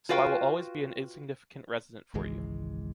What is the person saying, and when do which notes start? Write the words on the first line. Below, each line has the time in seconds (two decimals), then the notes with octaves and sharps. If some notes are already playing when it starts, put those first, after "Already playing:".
So I will always be an insignificant resident for you!
0.09 F4 F#4 B4 F5 G5
2.14 G#1 C#2 E3 G#3